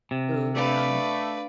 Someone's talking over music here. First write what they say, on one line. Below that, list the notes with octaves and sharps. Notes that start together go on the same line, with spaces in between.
Ooh, yum.
C3
A3 D4 B4 D5 F5